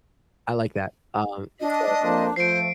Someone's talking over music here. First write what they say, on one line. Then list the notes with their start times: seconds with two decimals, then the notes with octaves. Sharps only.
I like that, um, and, so,
1.60 D4 D#5
2.03 F2 A#3 C5
2.36 F3 A3 C5 C7 D7